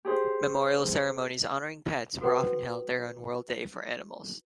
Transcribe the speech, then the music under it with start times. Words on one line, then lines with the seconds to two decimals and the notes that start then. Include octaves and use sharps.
Memorial ceremonies honoring pets were often held there on World Day for Animals.
0.05 G4 G#4 C5
2.21 F#4 A4 B4 C5 F#5 G5